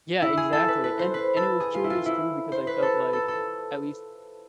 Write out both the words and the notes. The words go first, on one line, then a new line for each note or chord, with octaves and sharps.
Yeah, exactly. And and it was curious too because I felt like, at least,
E4
G#4
A4
B4
B4
C5
B4
A4
G#4
F4
E4
F4
E4
C5
B4
A4
A4
A4